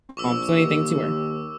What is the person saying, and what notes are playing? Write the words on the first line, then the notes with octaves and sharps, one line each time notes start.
Um, so anything to her.
A#1 C#6 D6 E6
D#2